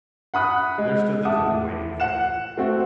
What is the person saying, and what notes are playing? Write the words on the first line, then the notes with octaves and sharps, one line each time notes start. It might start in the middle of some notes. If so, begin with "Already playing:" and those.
There stood the cook waiting for them.
F#5 B5 D#6 F#6
G#3
E5 F#5 A5 D6 D#6
A2
F#5 F#6 E7
A3 C4 F#4